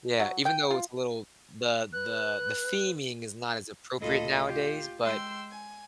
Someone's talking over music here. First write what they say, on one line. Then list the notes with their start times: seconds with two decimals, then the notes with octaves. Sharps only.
Yeah. Even though it's a little The the the theming is not as appropriate nowadays, but,
0.20 F#3
0.45 G5
0.70 F4
1.93 B4 F#6
4.00 D2 A#2 F4 A4 D#5 B5
4.47 F4 G4
5.03 G#3 G5 C6 E6
5.51 G#5